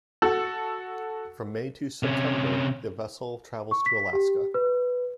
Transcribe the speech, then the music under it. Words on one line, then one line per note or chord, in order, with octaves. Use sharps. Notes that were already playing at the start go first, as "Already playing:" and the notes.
From May to September, the vessel travels to Alaska.
F#4 A4 E6
C3 C#4
C#6
B6
G4
B4